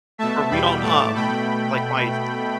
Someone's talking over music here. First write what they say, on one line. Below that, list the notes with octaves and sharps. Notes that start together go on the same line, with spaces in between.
where we don't, um, like my
B2 A3 E5 A5
E2 B2 G3 G5 B5
A2 A3 A5 D6
B2 A3 G5 B5